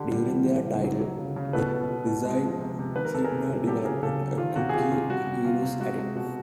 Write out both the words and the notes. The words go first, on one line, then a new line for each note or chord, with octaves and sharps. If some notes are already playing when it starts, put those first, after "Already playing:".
During their title reign, Sydal developed a cocky, heelish attitude.
Already playing: D3 G4
G3
E3
E3
C#3
F#3
F#3
C#3
C#3
B2 A4 B4
B2
B2
B2
G#3
F3
C3
C3
D#3 B4
A#4
C3 A4
G#4 A#4
C3
C3
F#3 G4 A4
C#3 G#4 A#4
C#3 G4 A4
F#3
D#3 F4
C3 F#4
G#4
C3 F4 G4
C3 F4
G3 F#4
C3
C3 F4
C3
G#3 F#4
G#3
B2 F#4